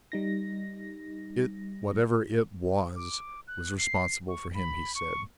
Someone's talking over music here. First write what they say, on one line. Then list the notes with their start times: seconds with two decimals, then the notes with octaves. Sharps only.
It--whatever it was--was responsible for him, he said.
0.12 G3 D#4 A#6
2.96 D6
3.47 F#6
3.78 C7
4.28 C#6
4.54 B5
4.95 C#6